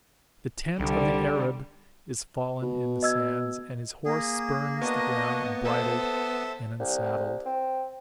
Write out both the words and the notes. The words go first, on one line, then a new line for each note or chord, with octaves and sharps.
The tent of the Arab is fallen in the sands, and his horse spurns the ground unbridled and unsaddled.
C2 D3 G3
B2
D#5 E6 G#6
A#3 G#4
B3 D4 F#4 D#5
A4 C5 E5
C2
C4